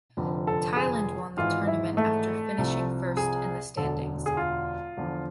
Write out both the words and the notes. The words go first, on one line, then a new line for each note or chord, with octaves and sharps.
Thailand won the tournament after finishing first in the standings.
F1 F2 D3 F3
A4
G#4
G#1 G#2 E3 F4
E4
A3
C2 C3 F3
G#4
E1 D2 D3 A4
G#4
F4
E2 D3 F3